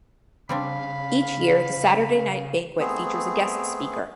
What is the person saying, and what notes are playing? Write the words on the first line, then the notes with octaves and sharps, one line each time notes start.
Each year, the Saturday night banquet features a guest speaker.
C#3 G3 C4 D4 F5 B5
A3 B3 C4 G#4